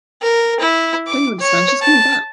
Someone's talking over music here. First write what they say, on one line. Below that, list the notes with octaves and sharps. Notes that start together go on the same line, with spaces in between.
Don't you understand, she's coming back!
A#4
E4
D6
C#5
A5